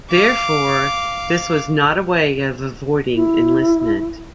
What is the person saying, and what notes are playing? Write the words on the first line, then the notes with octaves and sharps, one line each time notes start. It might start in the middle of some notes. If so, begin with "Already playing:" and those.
Therefore, this was not a way of avoiding enlistment.
F5 D6
E4